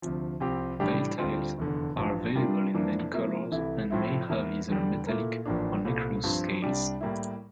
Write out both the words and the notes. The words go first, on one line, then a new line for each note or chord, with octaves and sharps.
Veiltails are available in many colors and may have either metallic or nacreous scales.
D2 C3 F3
C2 C3 F3 C4 G4
A2 E3 G3 D4 G4
D2 D3 G3 C4 F4
F1 E2 D3
A1 G2 F3
C3 G3 D4 F4 A#4
F2 E3 A#3 D4
C3 F3 A#3 E4
C2 C3 E3 A3 E4
A2 F3 C4 E4
E2 E3 A#3 E4 A#4
E2 D3 G3
A#2 A3 E4 A#4
A1 A2 F3 A#3 D4
C2 A#2 A3
G2 F3 C4
C2 C3 G3 D4
A2 G3 A#3 E4